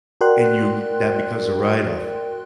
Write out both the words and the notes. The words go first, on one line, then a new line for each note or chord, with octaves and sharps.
and you get that because of write-off.
F#4 A#4 D5 G5 C6 F#6